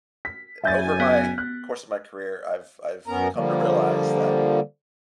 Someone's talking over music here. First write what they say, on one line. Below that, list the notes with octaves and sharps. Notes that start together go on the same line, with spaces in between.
I over my course of my career, I've I've come to realize that
B6
F#1 F#2 E5 G#5 G6 A6
B3
F#6
F#2 B3 C#4 A#4 A#5
D3 F3 G3 A#3